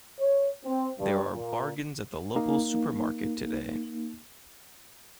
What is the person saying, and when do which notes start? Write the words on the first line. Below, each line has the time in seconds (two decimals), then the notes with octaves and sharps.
There are bargains at the local supermarket today.
0.20 C#5
0.64 C4
0.98 G2
1.33 A#2
2.36 A#3 D#4